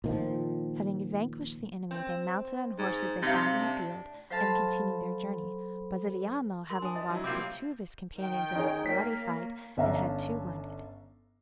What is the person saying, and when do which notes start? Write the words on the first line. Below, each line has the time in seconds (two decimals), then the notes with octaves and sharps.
Having vanquished the enemy, they mounted on horses they found in the field, and continued their journey; Brasiliano having lost but two of his companions in this bloody fight, and had two wounded.
0.04 A#2 D#3 F3
1.91 C4
2.78 G#2
3.22 C3 G3 D#4 F5
3.59 A2 D4
4.31 F#3 A4 C5 F5 A5 B5
6.70 A#4 C6
6.82 D4 G#5 D#6
6.95 D#5
7.10 F#3 E4
7.24 C3 F#3 A#3 C4 E4 F4 D6
8.18 D#3 G5
8.55 D#4 G#4 C#5
8.86 A#3 C#5 B6
9.77 G1 C#4 D4 E5 F5 A#5